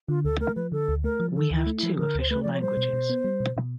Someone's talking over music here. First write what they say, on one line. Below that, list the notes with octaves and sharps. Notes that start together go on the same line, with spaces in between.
We have two official languages.
D3 F4
D2 A4
A3 A#4
F3 B4
D3 A4
D2
A3 A#4
F3
D3 A4
D2
E4
A3
E4
F3
D3 A#4
D2 C5
A3 B4
F3 D5
C#5
G3 C5
B2
B2
B3
G3
B2
B2